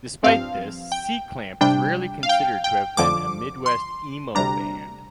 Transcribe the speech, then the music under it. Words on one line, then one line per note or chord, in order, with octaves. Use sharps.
Despite this, C-Clamp is rarely considered to have been a midwest emo band.
G2 F3 C4 F5
G5
C3 G3 D4 G5
F5
G5
G5
F2 D3 F3 D6
C6
D2 C3 G3 D4 A#5